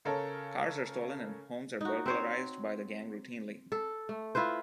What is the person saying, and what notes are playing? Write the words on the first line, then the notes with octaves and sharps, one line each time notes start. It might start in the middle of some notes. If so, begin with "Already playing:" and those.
Cars are stolen and homes are burglarized by the gang routinely.
C#3 A4 A#4 C#5
D#4 F#4
C4 C5 C#5
A4
A3
E4 F4 B4 C5